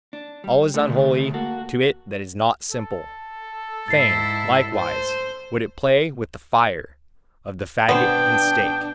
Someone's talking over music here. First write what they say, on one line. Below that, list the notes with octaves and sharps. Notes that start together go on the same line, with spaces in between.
All is unholy to it that is not simple; fain, likewise, would it play with the fire--of the fagot and stake.
D4
G3
A2 D3 G#3 A3
A#3 F#4 A4
A4
G#2 E4 A6 C7
C5
B2 B3 D4 C5 G5